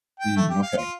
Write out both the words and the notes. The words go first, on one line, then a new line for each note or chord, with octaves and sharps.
Mm, okay.
G5
A3
G4
F5
F4